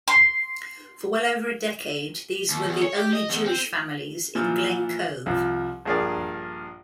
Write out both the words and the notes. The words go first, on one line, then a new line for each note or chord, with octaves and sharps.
For well over a decade, these were the only Jewish families in Glen Cove.
C6
D#2
E2
C#5
G4
D#5
E2
C4
A#2 E3 F3
C2 F3
A#1 G2 G#4 A#4 D5